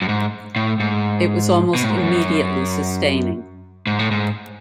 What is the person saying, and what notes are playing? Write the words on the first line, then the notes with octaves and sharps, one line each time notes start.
It was almost immediately sustaining.
F#2
G#2
A2
G#2
B2
A2
G#2
F#2
G#2
A2
G#2